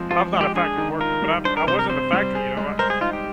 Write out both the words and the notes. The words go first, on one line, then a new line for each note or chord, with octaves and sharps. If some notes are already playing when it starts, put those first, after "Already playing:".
I was not a factory worker, but I I was in the factory, you know, I
Already playing: F3 G#3 C4
F3 F4
G#3
G4
D4 G#4
D#3
F4 A#4
G3
D4 C5
A#4
C3 C5
A#4
C3 C5
G3
G#4
G#3
A#4 C5
G#4
D#4 F4
G4